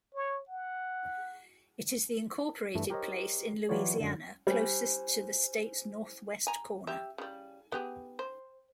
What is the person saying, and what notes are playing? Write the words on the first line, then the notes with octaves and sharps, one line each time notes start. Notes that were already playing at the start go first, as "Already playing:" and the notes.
It is the incorporated place in Louisiana closest to the state's northwest corner.
C#5
F#5
G2 E3 A3
G4 A#4 C5 C#5 D#5
E3 F#3 F4 G4 C#5 D5
F#2 D3
G3 C5 G#5
G#5 A#5
G4 E5
C#3 G3
B3 G4 G#4
C5